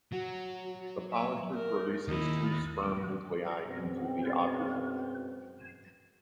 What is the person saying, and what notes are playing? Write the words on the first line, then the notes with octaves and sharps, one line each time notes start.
The pollen tube releases two sperm nuclei into the ovule.
F#3 F#4
C#5 E5
A#4
D#2 D#4 E4
F#2 B2 G#3 B3 C4